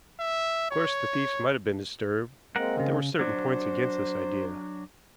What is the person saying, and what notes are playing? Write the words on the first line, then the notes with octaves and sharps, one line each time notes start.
Of course the thieves might have been disturbed, but there were certain points against this idea.
E5
C#5
G#3 A#3 C4 A#4 F#5
C#3
F#3 D4 C5